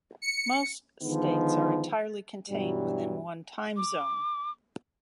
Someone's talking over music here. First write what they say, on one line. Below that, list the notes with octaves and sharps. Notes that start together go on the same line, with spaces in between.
Most states are entirely contained within one time zone.
C#7
D3 D#3 F3 G#3 B3 D#4
G2 B2 E3 F#3 G3
D6